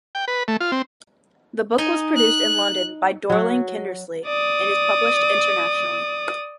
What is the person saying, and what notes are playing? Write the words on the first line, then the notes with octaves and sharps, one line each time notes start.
The book was produced in London by Dorling Kindersley and is published internationally.
G5
B4
A3
F4
C4
D#4 D#5 G#5
F#6
F#3 F#4
D5 D#6